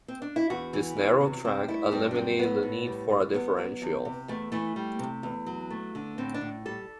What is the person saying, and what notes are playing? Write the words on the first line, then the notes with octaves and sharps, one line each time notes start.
This narrow track eliminated the need for a differential.
C4
D4
E4
E2 F#4
E3
E2
C3
G2 C4
A3 E4
G2 C4
D4
F#3 C4
A2 B3
A2
G3
G3
E2 B3
F#3
E2
C3
E2 A3
E3 A3
G3
C3
E2
F#3
A3
D3
A2 C4
D4
A2
G3 A4